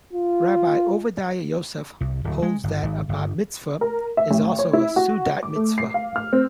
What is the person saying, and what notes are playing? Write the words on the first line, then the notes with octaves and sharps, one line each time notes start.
Rabbi Ovadiah Yosef holds that a Bat Mitzvah is also a seudat mitzvah.
F4
C2
D1
G#3
G1
G#1
G1
A#4
E5
A1
C#5
E4
F#4
D6
A3
C7
F5
F6
C4